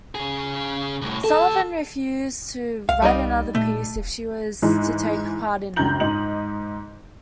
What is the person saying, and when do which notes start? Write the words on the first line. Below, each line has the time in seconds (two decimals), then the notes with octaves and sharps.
Sullivan refused to write another piece if she was to take part in it.
0.15 C#3 G#4
1.02 C2 A2
1.24 D2 A4 A5
2.89 C2 F5
3.02 G3 D#4 D#5
3.55 A#2 A3
3.96 D#1
4.62 G#2 E3 G#3
5.76 C#2 F#2 D4 A#5 G6 F#7
6.00 G#2 D#5 F#7